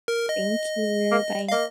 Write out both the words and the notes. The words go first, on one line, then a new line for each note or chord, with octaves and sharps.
Thank you. Bye.
A#4
D#5
A#3
F5
A#3 D#5